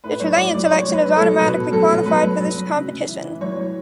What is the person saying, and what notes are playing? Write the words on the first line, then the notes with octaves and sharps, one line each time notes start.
The Chilean selection is automatically qualified for this competition.
A2 B4
F#3 C#5
F#3 D5
F#3 D5
F#3 C#5
F#3 B4
F#3
A4
F#3
B2 B4
B2
F#3 A4
B2
F#3 B4
F#3
F#3
F#3
C#3
C#3
E3
E3
F#3 C#5
F#3